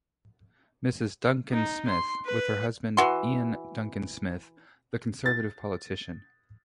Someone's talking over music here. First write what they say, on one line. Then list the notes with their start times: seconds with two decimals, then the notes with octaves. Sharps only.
Mrs Duncan Smith, with her husband Iain Duncan Smith, the Conservative politician.
1.51 D#4
1.87 C6
2.25 B4
2.97 E3 F#4 C6
5.26 A6